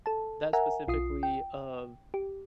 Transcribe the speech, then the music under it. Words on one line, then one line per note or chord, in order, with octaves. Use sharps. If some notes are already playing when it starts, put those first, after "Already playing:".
that specifically of
A4 A5
A#4 E5 F#5 G#5 A#5
B1 F4 D#6 C7
G5
G4